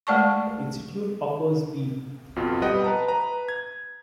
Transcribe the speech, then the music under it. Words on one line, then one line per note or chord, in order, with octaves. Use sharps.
The institute offers B.
G#3 A3 D5 A5 C#6
F2 B2 F4
G3 B4 D#5 F#5 G5
B4 A5 A#5
B4 A#5
G#6